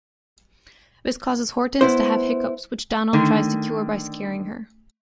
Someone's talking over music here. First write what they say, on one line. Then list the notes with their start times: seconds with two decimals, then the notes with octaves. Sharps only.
This causes Hortense to have hiccups which Donald tries to cure by scaring her.
1.81 B3 E4 C5
3.13 D3 D#3 A3